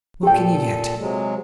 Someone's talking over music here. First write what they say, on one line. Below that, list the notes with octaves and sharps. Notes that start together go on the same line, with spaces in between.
"What can you get?"
A#2 G4 A4 G5
C3 F#3 G#3